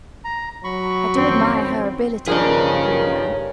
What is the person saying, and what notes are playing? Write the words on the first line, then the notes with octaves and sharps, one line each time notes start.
"I do admire her ability," agreed Anne.
A#5
F#3 B5 C#6
F2 D#3 C4 C#4
G2 D#3 F3 A#3 D4 G#4 A#4 C#5